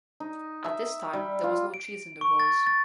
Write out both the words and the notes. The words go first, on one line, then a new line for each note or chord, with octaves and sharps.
At this time, there was no cheese in the rolls.
D#4
E5
G3
F4
D7
C#6
A6
A6